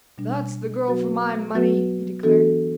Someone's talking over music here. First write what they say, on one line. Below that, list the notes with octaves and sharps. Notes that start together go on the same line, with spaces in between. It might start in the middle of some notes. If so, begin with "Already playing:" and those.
"That's the girl for my money," he declared.
B2 G3 D4
F#3 B3 F#4 B4
F#3 B3 F#4 B4
E3 B3 D4 F#4 A4